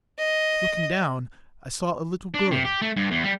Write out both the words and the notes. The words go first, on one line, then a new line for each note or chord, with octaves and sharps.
Looking down I saw a little girl.
D#5
D4
C3
G4
A3
G2
E2
G3